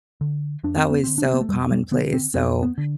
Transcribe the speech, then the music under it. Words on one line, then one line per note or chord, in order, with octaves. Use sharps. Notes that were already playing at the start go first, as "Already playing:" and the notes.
that was so commonplace, so
D3
F2 D4
C4
B3
D3 C4
D4
C4
B3
A3
F2 G3
G3
D3 B3
C4
F2 C4
B3
D3